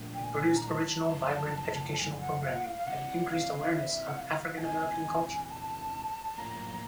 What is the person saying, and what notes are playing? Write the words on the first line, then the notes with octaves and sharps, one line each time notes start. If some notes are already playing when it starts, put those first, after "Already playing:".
It produced original, vibrant, educational programming and increased awareness of African-American culture.
Already playing: A#2 F3 A3 D4 F4
G5
G#5
A#5
A5
F#2 C#3 F3 A3
G#5
F#5
F5
F#5
F5
F5
C3 E3 G3 F#5
F5
E5
F#5
F5
A5
E2 C3 E3 G#5
A5
A2 F3 A#3 C#4 F4 A#5